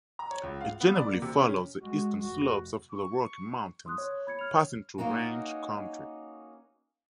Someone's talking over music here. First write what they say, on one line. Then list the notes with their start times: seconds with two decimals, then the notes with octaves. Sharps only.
It generally follows the eastern slopes of the Rocky Mountains, passing through ranch country.
0.19 A#5
0.31 C#5
0.43 C#2
0.61 F5
0.80 B3
0.95 D5
1.09 A#3
1.22 C3
1.39 C#4
1.81 G#3 F#4
2.20 F1 F#4
2.91 C#6
3.86 C6 D#6 F#6
3.98 C#5
4.27 B5 G#6 C#7
4.39 F6 F7
4.98 A#3 C#4 D#4 F#4